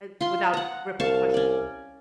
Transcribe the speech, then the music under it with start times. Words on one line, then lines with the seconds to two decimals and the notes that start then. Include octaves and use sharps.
uh, without repercussion
0.21 F4 C6
0.53 F#5 A#5
1.00 C2 F5 A5 C#6
1.34 C#4 D5